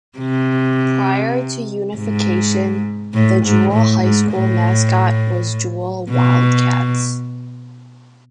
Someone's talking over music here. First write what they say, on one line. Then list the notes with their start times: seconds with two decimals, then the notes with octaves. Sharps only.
Prior to unification, the Jewell High School mascot was Jewell Wildcats.
0.18 C3
1.96 G#2
3.14 A2
3.44 G#2
3.73 A2
4.03 G#2
4.32 A2
6.10 B2